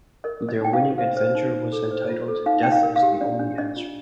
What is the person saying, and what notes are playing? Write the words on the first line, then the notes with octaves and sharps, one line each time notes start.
Their winning adventure was entitled "Death Is the Only Answer".
A#4 D#5
A#4
D#5
D#4 G5
F5
D#4
C5 F5
C5
D#4
D#4
A4
C5
F4
A4
D#4 F5
D#4 G5
F5
A#4
F5
G4
D4 D5
D4
D4 D#5
F4